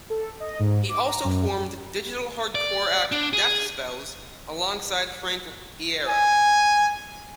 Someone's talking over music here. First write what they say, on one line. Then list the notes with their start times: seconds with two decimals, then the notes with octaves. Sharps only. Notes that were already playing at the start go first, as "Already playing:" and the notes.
He also formed digital hardcore act, Death Spells, alongside Frank Iero.
0.10 A4
0.40 D#5
0.59 G#2
0.89 D6
1.05 A#5
1.24 F#2
2.55 D5
3.12 D4
3.33 G#4
6.09 G#5